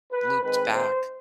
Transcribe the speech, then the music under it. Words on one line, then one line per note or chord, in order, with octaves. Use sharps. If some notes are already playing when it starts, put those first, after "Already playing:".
looped back,
B4
D#3 G#3 C4 B4
C5